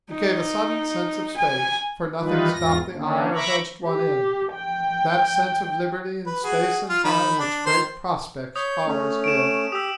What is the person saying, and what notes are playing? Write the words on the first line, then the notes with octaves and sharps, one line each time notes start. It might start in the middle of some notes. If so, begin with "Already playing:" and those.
It gave a sudden sense of space, for nothing stopped the eye or hedged one in,--that sense of liberty in space and time which great prospects always give.
D#4
G#5
D#3 E3 G3 D#4 F4 B4
E2 G#2 F4 A#6
D3 A#3 C#4 D4
E5 A#5 B5 C#6 D6
G4
G5
B4
F#4 G#4
F4
D#3 B5
D4
D#3 C5 C6
C#5 D#6 G6
A3 C#4
D7 E7
G4 D#6 E6